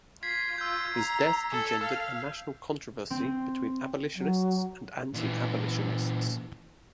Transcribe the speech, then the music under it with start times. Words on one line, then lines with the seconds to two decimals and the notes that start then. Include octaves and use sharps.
His death engendered a national controversy between abolitionists and anti-abolitionists.
0.23 F4 G#6 B6 C7
0.58 F4 E6 G6
0.94 A#5
1.51 A4
1.83 F5
3.10 C4
4.16 F#3
5.14 A#2 E3